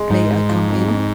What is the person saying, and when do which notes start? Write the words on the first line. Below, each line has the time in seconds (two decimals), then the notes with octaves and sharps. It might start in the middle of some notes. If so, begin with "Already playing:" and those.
"May I come in?"
Already playing: G#3
0.10 G#2 D#4
0.30 G#3
0.49 F3
0.69 F2
0.88 F2